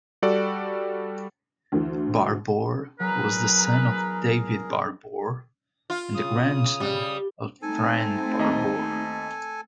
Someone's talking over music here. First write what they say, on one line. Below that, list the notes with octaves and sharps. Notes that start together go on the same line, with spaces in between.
Barbour was the son of David Barbour and the grandson of Friend Barbour.
G3 F#4 A4 D5
D2 E3
E2 F#3 G#4 A#4 B4 A#5
F4
C#3 D#6
G3
A3 C4 D#4 A4 G#5
D#2 D#5 A#5